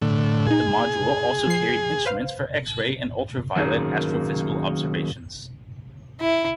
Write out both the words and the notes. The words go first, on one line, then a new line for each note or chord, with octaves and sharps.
The module also carried instruments for X-ray and ultraviolet astrophysical observations.
A2 D3
A#2 D#4 G#4
F3 C7
B4 C5 F5
D#3 F#3 A#3 C#4 D#4 G#4
E4